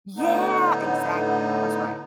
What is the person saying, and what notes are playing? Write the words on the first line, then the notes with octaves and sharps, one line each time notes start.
Yeah, exactly that's right.
A2 D3 B3 D#4